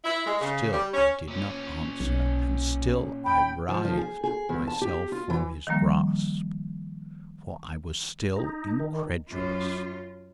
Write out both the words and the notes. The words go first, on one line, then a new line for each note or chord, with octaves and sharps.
Still I did not answer, and still I writhed myself from his grasp: for I was still incredulous.
E4
G#3
C#3
G3
C#4
A#2 C#4
B1
G5 B5
F3
F3
G#4
G#4
E2
A5
G4
F4
E3
D#3 F3 G3 A#3
D#4
D#3
F#2 F4